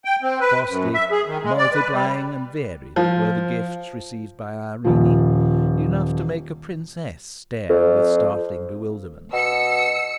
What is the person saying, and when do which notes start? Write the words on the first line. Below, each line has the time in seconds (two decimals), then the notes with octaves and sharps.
Costly, multiplying, and varied were the gifts received by Irene; enough to make a princess stare with startling bewilderment.
0.05 G5
0.22 C4
0.40 B4
0.69 F#2
0.94 E5
1.11 G#4
1.27 D#3
1.43 G#3
1.58 D5
1.73 B4
1.92 G3
2.96 F3
4.85 D#1 F3
7.69 F2
9.33 B2 E6 C#7